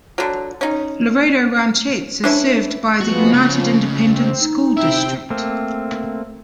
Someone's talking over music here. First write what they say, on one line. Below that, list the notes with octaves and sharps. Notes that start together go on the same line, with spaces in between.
Laredo Ranchettes is served by the United Independent School District.
D3 F#3
C#4 D#4
E3 C#4 D4 E4
F3 G#3 B3 F#4
C#2 C#3 F3
C4
D#4
C3 C4 E4 E5 G5
A3 A#3 C4